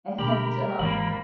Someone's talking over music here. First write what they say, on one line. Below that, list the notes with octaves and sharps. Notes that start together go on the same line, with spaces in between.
and, um
B2 D3 G4 A#4 B5
G#1 E2 E3 G#3 A#3 B5